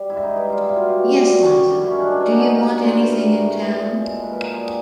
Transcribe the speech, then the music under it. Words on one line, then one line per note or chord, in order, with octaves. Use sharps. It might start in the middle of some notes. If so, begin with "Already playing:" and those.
Yes, Liza; do you want anything in town?
Already playing: G3
G#2 E4
D#4
E3
E4
G3 F4
E4
B2
F4
B2 G4
G3
F#2
G3
F#2
E4
D#3 C#4
D4
G2 C#4
D4
F#3 D#4
G#4
G2 A#4
D3
C5
A2 B4
G3 A#4
A2
E3
A#2
G#3
A#2 A4
B4
F3 A#4
A#4
G3 G#4